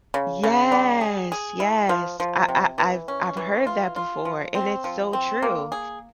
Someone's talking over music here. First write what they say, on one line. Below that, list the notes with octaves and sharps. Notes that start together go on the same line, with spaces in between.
Yes, yes, I I I've I've heard that before, and it's so true,
C#3
C#3
G3
G#4
G#4
E4
F3
F3
C3
E3
C#4
E3
F4
F4
F3
C4
F3
C4
A#3
G#4